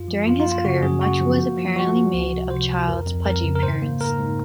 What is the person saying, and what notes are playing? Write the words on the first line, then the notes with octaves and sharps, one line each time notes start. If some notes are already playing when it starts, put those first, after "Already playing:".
During his career, much was apparently made of Childs' pudgy appearance.
Already playing: F#2 F4
F3
F#2 F4
F4
A#3
F4
C#3 F#4
F#2 G#4
F#2 F#4
F3
A#3
F3
F3 F#4
F3
C#2 F#4
C3
C3 C5
C#2
F2 A#4
F2
F2 A#4
C#3
A#4
G#2 C5
A#3
G#2 A#4
G#2